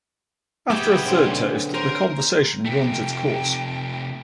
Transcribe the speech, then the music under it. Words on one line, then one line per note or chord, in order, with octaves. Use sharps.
After a third toast, the conversation runs its course.
B1 B3 G4 G#4 E5 G5
D3 C4 C#4
C#4 A#4 C5
C3 A3 G5